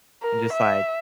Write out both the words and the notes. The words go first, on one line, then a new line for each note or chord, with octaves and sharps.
and just, like,
A#4
E5